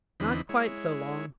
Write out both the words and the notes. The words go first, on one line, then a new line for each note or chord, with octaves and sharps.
"Not quite so long."
E2 D3 E3 C4 D#4 B5
G#3 E4 C#5